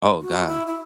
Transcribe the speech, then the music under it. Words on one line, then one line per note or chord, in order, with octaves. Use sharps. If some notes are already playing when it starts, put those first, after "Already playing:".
Oh god.
F#4
E4
E4